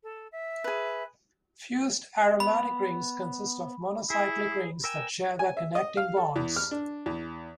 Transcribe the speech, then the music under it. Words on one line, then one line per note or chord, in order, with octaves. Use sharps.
Fused aromatic rings consist of monocyclic rings that share their connecting bonds.
A4
E5
G#4 B4
B3 B5
E4 G#4
A#4 G5 G#5 E6
G#5
E5
D#5
F5
A4
E2
F6
D4
E2